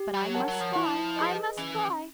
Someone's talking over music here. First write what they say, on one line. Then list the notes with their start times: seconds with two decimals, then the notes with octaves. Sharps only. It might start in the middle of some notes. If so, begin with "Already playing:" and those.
But I must fly, I must fly!
Already playing: G4
0.14 G3
0.21 F#3
0.34 A#4 C#5 F#5 A5
0.48 F#3
0.60 F3
0.73 E3 E4
0.85 F3
1.16 G#4 B4 D#5
1.57 E3 C#4